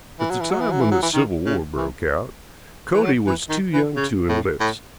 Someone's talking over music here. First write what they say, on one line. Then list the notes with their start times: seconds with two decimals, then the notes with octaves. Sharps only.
At the time when the Civil War broke out Cody was too young to enlist.
0.20 E3
0.30 F#3
0.41 E3
0.51 F#3
0.61 E3
0.72 F#3
0.81 E3
0.91 F#3
1.02 E3
1.14 D#3
1.46 C#3
1.77 E3
2.94 E3
3.03 F#3
3.27 E3
3.49 D#3
3.73 E3
3.96 C#3
4.29 A2
4.60 A2